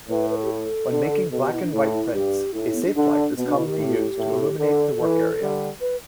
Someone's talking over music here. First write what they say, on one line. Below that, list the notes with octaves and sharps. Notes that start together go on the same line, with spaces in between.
When making black-and-white prints, a safelight is commonly used to illuminate the work area.
A2 B4
B4
A4
G4
A4
D3
B2 A4
G4
E4
D4
A2 E4
E4
G2 G4
A2 E4
E4
B3
D4
D3 D4
B2 B3
D4
E4
G4
A2
A2
D3 A4
E3
D3 G3
B4